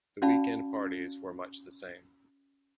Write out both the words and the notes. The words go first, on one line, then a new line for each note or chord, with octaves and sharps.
The week-end parties were much the same.
C#4 F#4 D5 F5 A5 B5